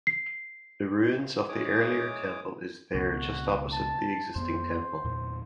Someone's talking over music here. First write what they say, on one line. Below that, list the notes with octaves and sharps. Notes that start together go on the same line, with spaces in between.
The ruins of the earlier temple is there just opposite the existing temple.
C7
E3 G#3 C#5 D6 D#6
C#2 B2 F#4
A5
F2 A#3 B3 C5
E2 A#2